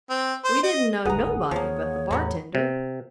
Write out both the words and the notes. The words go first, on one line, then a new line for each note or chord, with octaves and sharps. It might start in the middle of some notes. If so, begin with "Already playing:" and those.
We didn't know nobody but the bartender.
C4
C5
D#5
F#1 D2 G#2 G#4 B4 F#5 A#5 D#6
D#2 F3 A#3 C#5
E2 A2 C3 F#3 A3 B3
C3